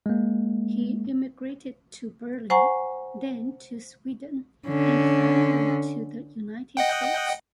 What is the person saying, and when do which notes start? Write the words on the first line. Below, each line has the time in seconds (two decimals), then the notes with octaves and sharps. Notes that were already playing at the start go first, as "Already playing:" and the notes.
He emigrated to Berlin, then to Sweden, and finally to the United States.
0.06 G#3 A#3
2.50 C5 F#5 G#5 A#5 C#6
4.68 D3 C#4
6.77 D#5 F#5 G5